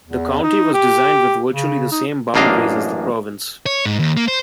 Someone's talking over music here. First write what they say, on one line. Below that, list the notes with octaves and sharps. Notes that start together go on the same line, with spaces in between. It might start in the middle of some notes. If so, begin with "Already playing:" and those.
The county was designed with virtually the same boundaries as the province.
E2
D#4
G4
C#3
D#4
A1 F#2 A#3 D4 D#5 F5
C#5
G#2
D#2
A#3
C5